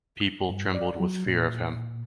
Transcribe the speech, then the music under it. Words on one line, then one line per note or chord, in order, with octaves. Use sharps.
People trembled with fear of him.
G2
D5
F#3
A#2